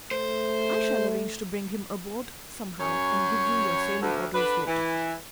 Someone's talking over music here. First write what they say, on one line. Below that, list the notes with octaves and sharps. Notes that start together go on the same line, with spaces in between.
"I shall arrange to bring him aboard somehow, and give you your sailing orders later."
A3 C5
F#2 C#5
D2
D3 D4 B4
E3